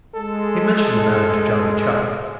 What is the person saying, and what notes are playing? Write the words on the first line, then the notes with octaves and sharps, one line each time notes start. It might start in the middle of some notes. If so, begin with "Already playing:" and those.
He mentioned the matter to Johnny Chuck.
G#3 A4